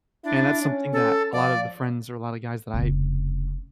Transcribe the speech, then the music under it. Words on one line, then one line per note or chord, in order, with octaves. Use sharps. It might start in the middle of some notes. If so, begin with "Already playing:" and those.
And that's something that a lot of the friends or a lotta guys that I
D4 E4
C#4
A4
F3 D5
F1 C#3